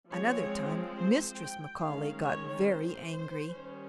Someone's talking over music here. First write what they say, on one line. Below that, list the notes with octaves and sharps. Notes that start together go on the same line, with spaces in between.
Another time Mistress McCaully got very angry.
F3 G#3 C4 C#5
C5
G5
D#3 G#3 C#4 F5
C#5
C5
D#3 G3 C#4